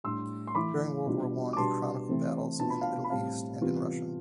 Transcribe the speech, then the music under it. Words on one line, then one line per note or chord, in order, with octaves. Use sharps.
During World War One he chronicled battles in the Middle East and in Russia.
A2 G3 D4 C6 E6
C6
E3 A3 E4 B5 D6
B2 G3 D4 F4
D6
B2 G3 B3 D4 A5 C6
C3 E3 A3 C4 E4
B2 B3 D4 F4 A5
B5
F5 A5
B5
A2 G3 C4 F5 A5
C3 E3 G3 B3 F4